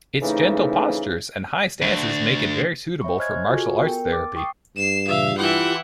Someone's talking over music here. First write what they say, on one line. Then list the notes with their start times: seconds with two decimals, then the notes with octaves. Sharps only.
Its gentle postures and high stances make it very suitable for martial arts therapy.
0.21 F2 C#3 E3 A3 D#4
1.82 D2
3.01 C#5 E5 B5 C#6
3.18 C5 D#5 G#5 F6 F#6 G#6
3.50 F4 F#4 G#4 A4 G#5 C#6
3.81 B3 A#4 G5
4.10 D6 F6 A6
4.36 G5 C#6 D#6 C7
4.76 G2 C7 E7
5.08 A#2 C#3 E3 E5 F5
5.38 E3 E4 F4 G4 E5 F#5 G5